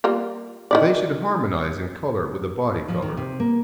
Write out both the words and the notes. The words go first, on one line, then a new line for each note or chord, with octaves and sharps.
They should harmonise in colour with the body colour.
G3 A#3 F4
D#3 E4 D5
F3
D#3
C3
A#3